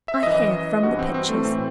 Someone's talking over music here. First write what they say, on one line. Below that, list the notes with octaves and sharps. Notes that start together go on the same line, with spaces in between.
I have, from the pictures.
E5
F#2 E3 D#5
G2 E3 F#4
C4
C4
A3
A2 E3 C4